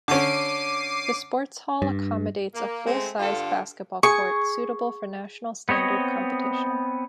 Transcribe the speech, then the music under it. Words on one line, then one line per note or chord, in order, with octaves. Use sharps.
The sportshall accommodates a full-sized basketball court suitable for national standard competition.
D3 C#4 D6 C7 D#7
G2
A#3
G#3 A3 C4
G2 D3 F4 A4
G#4 C#6
B3 C4 C#5 D#5